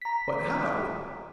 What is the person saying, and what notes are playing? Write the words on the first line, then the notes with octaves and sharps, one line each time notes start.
"But how?"
A#5 B6